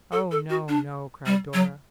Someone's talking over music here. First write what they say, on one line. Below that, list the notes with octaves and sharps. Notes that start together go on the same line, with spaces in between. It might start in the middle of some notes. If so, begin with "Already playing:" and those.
'Oh, no, no!' cried Dora.
A4
A4
F#4
D4
G3
F#3